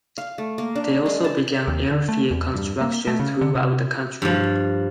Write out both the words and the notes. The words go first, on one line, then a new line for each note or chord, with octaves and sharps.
They also began airfield construction throughout the country.
F5
A3
A#3
D4
G#3
A5
D#2
D3
A3
E2
G2
A#3
A3
C#3
D3
C3
G2 F3